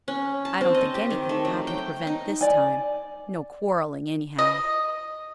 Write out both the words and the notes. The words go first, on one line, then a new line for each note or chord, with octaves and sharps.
I don't think anything will happen to prevent this time--no quarrelling, anyhow.
C#4
A5
C4
D#5
G4
D#3
A3
F#3
G5
D#4
D5 G#5
D#5